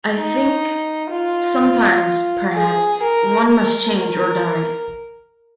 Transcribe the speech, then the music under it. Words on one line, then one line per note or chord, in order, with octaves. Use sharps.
I think... sometimes, perhaps, one must change or die.
D#4
F4
G#4
A#4
A#4
A#4